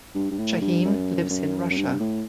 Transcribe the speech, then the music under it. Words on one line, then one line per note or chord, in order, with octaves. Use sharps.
Shaheen lives in Russia.
G2
G2
A2
G2
F#2
F#2
F#2
G2
F#2
G2
A2